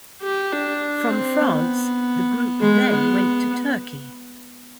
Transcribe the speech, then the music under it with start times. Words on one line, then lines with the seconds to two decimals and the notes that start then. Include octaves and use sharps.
From France, the group then went to Turkey.
0.22 G4
0.52 D4
1.11 C4
1.41 B3
2.61 G#3
2.90 B3